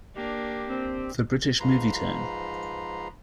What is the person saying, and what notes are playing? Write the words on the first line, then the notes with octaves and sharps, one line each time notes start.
For British Movietone.
A#3 D4 G4
C4
G#2 F3 B4 A#5 C6